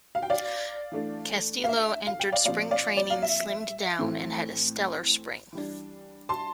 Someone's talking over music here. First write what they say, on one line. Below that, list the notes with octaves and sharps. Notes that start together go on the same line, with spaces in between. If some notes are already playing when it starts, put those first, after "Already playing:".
Castillo entered spring training slimmed down and had a stellar spring.
F5
G5
D5 F5
E3 A3 D4
F5
E5
F5
G5
D5 F5
A#2 F3 C4 D5 F5
D5 F5
D5
F5
E5
A2 E3 A3 C4
E3 G3 D4
A5 C6